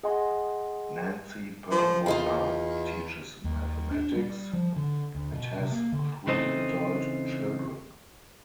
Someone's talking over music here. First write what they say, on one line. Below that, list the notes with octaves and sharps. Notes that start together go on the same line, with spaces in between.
Nancy Perlmutter teaches mathematics and has three adult children.
G#4 D#5 F#5 G#5 C6
F3
E2 F4 D#5 F5
D#2
D4
G3
F3
D3
D2
B2
C3
A#3
D3
C#3 E3 C4 D#4 A4